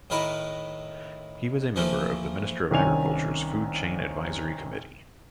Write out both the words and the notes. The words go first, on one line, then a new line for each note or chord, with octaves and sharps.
He was a member of the Minister of Agriculture's food chain advisory committee.
A2 D#3 E4 A#4 B4
E3 F3 A3 A#3
C2 D#3 C#4 G#5 F7